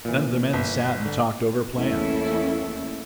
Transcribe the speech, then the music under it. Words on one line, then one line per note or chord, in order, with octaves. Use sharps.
Then the men sat and talked over plans.
A#2 E3
G1
D3
E2 A3 A#3 C#4 E4 A4